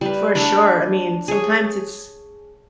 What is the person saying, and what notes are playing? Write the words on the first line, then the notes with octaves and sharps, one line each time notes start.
For sure. I mean, sometimes it's
G3 B4
A3 D4 D5 B5
G#4 C#5